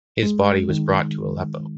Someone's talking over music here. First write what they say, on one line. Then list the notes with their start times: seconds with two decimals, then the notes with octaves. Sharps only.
His body was brought to Aleppo.
0.23 G#3
0.69 D#3